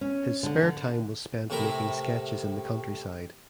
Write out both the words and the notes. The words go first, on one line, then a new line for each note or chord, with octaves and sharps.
His spare time was spent making sketches in the countryside.
C#4
D3
D3
A2 C3 A3 A#4 A#5 B5